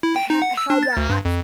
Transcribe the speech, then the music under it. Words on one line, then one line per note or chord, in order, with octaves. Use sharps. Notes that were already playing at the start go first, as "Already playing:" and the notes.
ho how that,
E4
G5
D#4
F#5
E6
D4
A6
D2
G2
F2